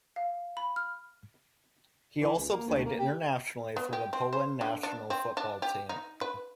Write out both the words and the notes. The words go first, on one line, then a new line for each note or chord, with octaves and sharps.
He also played internationally for the Poland national football team.
F5
B5
F6
E3
C#2
A#3
D2
A#3
G4
B3
G4
C4
C5
D3
D4
C4
D4
G4
D#4
B4